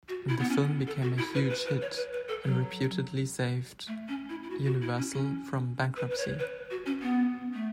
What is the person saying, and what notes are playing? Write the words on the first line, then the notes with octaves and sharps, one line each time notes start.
The film became a huge hit and reputedly saved Universal from bankruptcy.
F#4
E4
B3
C#4
A4
F#4
E4
B4
B4
B4
C#5
B4
B4
A4
F#3
A3
C#4
E4
E4
F#4
F#4
E4
C#4
C#4
B4
B4
C#5
B4
F#4
C#4
B3
A3